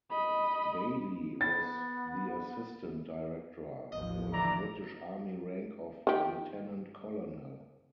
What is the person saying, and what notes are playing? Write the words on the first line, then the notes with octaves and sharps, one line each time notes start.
Bayly was the assistant director, with British army rank of lieutenant colonel.
D#5 B5
B3 A6
A1 D#2 F3 D#5
D3 E3 D5 A#5
D#3 G4